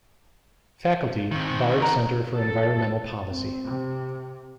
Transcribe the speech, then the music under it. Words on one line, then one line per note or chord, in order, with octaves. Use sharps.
Faculty, Bard Center for Environmental Policy.
D#3 C4
A#4 F#5
A4
C4
C3